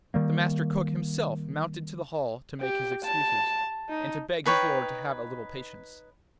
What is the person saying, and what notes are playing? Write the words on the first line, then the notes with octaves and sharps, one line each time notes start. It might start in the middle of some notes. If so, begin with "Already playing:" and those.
The Master Cook himself mounted to the hall to make his excuses, and to beg his lord to have a little patience.
D#3 G3 A#3
G4
A5
D#4
D#4 B4 C#5 G5